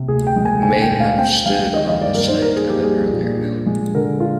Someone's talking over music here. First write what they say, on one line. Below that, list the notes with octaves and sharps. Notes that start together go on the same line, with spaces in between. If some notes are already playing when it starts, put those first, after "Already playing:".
It may have stood on the site of an earlier mill.
Already playing: C3
D2 G#4
G5
G#3
G#5
D3 G#5
G5
D2
F5
C4 G5
G#3 F5
D#3 D#5
D#5
G2 D5
A#4
D#4 C5
A#4
A#3 G#4
G4
G3 G#4
A#2
D4
G#3
D3 A#4
F4